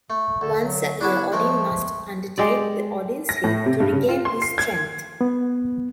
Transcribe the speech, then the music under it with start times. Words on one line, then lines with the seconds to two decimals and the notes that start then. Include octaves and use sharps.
Once a year Odin must undertake the Odinsleep to regain his strength.
0.10 A3
0.41 D2 A4
0.62 F#3
1.01 B3 C#4 D4 E4
1.32 F3 G#3 A3 A#4
2.38 G#3 G4 D5
3.29 A#6
3.44 A2
3.66 C3
3.80 G2
3.93 C#3
4.09 F4
4.25 C6
4.42 C7
4.58 G#6
5.21 B3